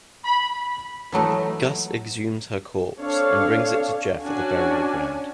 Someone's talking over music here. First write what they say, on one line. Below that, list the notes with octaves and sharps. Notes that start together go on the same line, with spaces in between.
Gus exhumes her corpse, and brings it to Jeff at the burial ground.
B5
E3 F#3 A3 D#4
C4 D4 A4 C#5 F5
C#4 D4 F#4 G#5